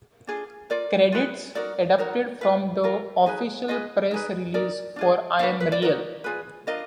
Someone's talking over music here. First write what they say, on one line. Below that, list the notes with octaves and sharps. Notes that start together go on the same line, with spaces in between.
Credits adapted from the official press release for "I Am Real".
D4 F4 G#4
F4 A#4 D5
F4 G#4 B4
D#4 F#4 A#4 D5
D#4 F#4 A#4
F4 B4
F4 A#4
D#4 G#4 B4
F4 G#4 B4 D#5
D#4 G#4 B4
D#4 A#4 D5
D4 F4 G#4
D4 F#4 B4 F5
B4
D5
D#4 F#4 A#4 D5
F4 G#4 B4
D4 F4 A#4 D#5